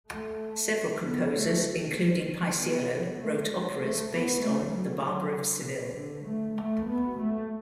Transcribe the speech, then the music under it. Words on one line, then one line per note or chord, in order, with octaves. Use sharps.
Several composers including Paisiello wrote operas based on "The Barber of Seville".
A3
B3
A3
B3
A3
G#3
A3
B3
A3
F#3
C#3
B2
D3
A3
A3
B3
A3